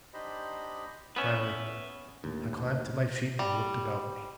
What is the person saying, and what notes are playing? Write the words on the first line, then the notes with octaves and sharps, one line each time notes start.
Finally, I climbed to my feet and looked about me.
D4 D#4 G4 C5 D#5 B5
B3 C#4 B4 E5
D#2 A2 D3
G3